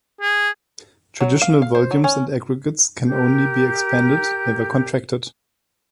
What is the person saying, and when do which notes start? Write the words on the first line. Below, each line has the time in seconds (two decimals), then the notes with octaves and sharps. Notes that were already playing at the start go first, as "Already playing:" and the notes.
Traditional volumes and aggregates can only be expanded, never contracted.
0.21 G#4
1.21 F#3
1.42 F5
1.62 F5
1.75 C5
1.91 F#3
2.04 C#4
3.06 G4 A#4 G6